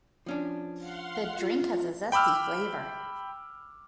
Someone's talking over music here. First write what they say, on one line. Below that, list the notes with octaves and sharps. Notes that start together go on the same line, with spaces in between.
The drink has a zesty flavour.
F3 C#4 D4
F5 F#5 C6
F4
G5 B5 D6 E6 F6